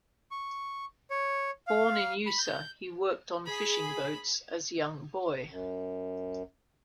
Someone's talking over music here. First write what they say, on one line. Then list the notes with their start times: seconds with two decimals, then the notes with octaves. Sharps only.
Born in Usa, he worked on fishing boats as young boy.
0.31 C#6
1.10 C#5
1.67 F5
2.26 B5
2.38 G6
3.46 G#4 B5
5.50 F#2